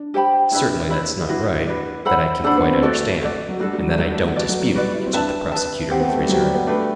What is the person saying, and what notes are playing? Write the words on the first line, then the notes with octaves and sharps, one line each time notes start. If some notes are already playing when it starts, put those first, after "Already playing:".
"Certainly, that's not right, that I can quite understand, and that I don't dispute," answered the prosecutor with reserve.
Already playing: D4
G4 C5 G5 B5
D4 E4 B4 E5 B5
E4 B4 E5 B5
D4 E4 F#4 B4
D4 F#4 B4
A4 C5 F#5 B5
D4 A4 C5 F#5 B5
B3
C4
A3 F#4 A4 D5
F#4 A4 D5
F#3
G3 D4 F#4 A4
G3
F#3
A3
G3 D4 F#4 A4
A3
B3
A3 F#4 B4 D5
F#3
G3
G3 F#4 B4 D5
E4
C4
D4 B4 E5 A5
B4 E5 A5
C4 G4 C5 F#5
B3
A3
G3
F#3 G4 C5 F#5
G3
B3
A3 D4 G4 B4